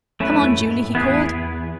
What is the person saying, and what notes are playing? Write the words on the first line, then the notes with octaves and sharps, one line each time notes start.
"Come on, Julie," he called.
F#2 A3 C#4 E4 B4
E2
G#2
A2
E2 B3 E4 G#4 B4